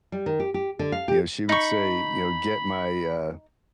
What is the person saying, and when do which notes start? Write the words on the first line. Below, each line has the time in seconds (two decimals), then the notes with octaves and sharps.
you know, she would say, you know, "Get my, uh,
0.12 G3
0.26 D#3
0.40 G4
0.54 G4
0.79 D3
0.92 F5
1.08 G4
1.49 D#4 B5 C#6